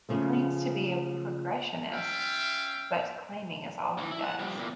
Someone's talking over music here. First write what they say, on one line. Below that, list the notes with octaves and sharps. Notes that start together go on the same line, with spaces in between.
He claims to be a progressionist, but claiming is all he does.
C#3 F3 A3
C#4 F4 E5 F5 G5
D2 E3
E4
F#5
F3 G3
E2 A#2